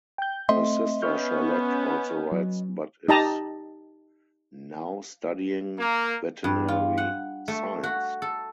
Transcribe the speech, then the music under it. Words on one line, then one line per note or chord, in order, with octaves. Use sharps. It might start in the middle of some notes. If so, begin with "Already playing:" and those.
Her sister Charlotte also rides but is now studying veterinary science.
G5 G6
A3 C4 D#5 E5 C6
B3 C#4 C#6 F6 G6
F#3
D#4 G4 D#5 A5 A#5
A#3
G2
F4
F#5
A3
F#4
A4